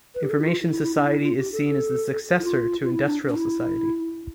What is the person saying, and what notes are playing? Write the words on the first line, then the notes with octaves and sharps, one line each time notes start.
Information society is seen as the successor to industrial society.
B4
G4
A4
E4
F4
E4
E4
E4
D4
E4
F4
G4
A4
E4
F4
F4
E4
D4
D4
E4